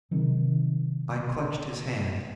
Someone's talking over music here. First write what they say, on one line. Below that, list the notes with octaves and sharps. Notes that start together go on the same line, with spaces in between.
I clutched his hand.
C3 D#3 F#3